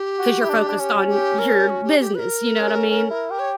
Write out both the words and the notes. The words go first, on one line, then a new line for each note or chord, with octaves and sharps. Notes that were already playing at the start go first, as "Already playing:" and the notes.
'cause you're focused on your business, you know what I mean?
Already playing: G4
F#4
E4
D4
D4
C#4
G4
A#4
F#4
G4
G4
B4
A#4
C#4
C#4
E4
G4
C#5